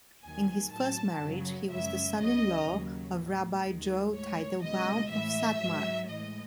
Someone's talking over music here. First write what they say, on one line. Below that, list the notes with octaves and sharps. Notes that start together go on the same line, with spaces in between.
In his first marriage, he was the son-in-law of Rabbi Joel Teitelbaum of Satmar.
D#2 D#3 F#3 G#5
A2 F#3 A5
F#2 C#3 F#3
F#2 C#3 G#3 E5
C#2 C#3 F#3 D#5
D#2 C#3 F#3
A2 F#3
D#2 D#3 G#3
A2 G#3 C#5
C#2 B2 G#3 D#5
A2 E3 G#3 E5
G#2 F#3
A2 E3 G#3 D#5